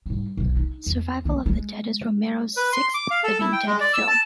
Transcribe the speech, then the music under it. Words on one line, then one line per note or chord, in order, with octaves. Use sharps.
"Survival of the Dead" is Romero's sixth "Living Dead" film.
G#2 G3
B1 E2
D4 D#4
E2
G#3 A#3
G#3
B4
C6
D6
F5
A4
E4
G5
G#3
D5
E6
A5